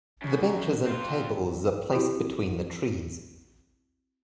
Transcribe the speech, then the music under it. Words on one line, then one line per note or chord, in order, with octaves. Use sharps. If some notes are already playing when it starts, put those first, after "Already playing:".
The benches and tables are placed between the trees.
F#2
C4 F4
C4 E4 F#4 G4